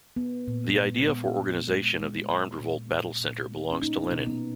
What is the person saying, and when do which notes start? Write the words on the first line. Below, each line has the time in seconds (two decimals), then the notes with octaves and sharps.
The idea for organization of the armed revolt battle center belongs to Lenin.
0.16 B3
0.48 A#2
0.77 G#3
1.08 B3
1.39 B3
1.68 G#3
2.00 G#3
2.29 G#3
2.60 A#2
2.90 A#2
3.21 A#2
3.52 B3
3.72 C#4
3.82 A#3 D#4
4.11 B2
4.27 B3